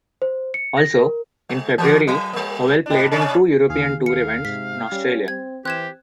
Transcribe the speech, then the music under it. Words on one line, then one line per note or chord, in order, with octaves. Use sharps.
Also, in February Howell played in two European Tour events in Australia.
C5
C#7
A#6
A#4
G3
E3 F#4 A#4
F#3
G3 A#3
G#2 D4
C3 C#4 D4
D#2 G#4 F5
F5 C#7
G#2 C3 B6
G3 C#4
C4 G#6
E3 C4 G4 F#6 G#6 E7